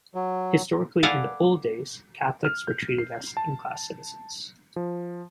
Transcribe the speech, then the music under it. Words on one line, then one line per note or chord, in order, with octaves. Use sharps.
Historically in the old days, Catholics were treated as second class citizens.
F#3
A4 B4 D5 F5 F#5 G#5
F6
G6
C7
A5
F3